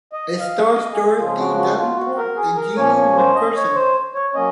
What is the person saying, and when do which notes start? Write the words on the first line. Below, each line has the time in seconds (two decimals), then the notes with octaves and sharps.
It stars Dorothy Davenport and Jeanie Macpherson.
0.12 D#5
0.39 F5
0.66 D#5
0.92 G#4
1.18 C#3 F3 G#3 F4
1.38 F#4
1.58 F#4
1.77 F4
1.97 F#4
2.17 A#4
2.36 G#4
2.56 A#4
2.77 A#2 F3 A#3 C#4 C#5
2.96 C#5
3.16 C5
3.35 D#5
3.55 C#5
3.75 C5
4.14 C#5
4.34 F#3 A#3 C#4 D#5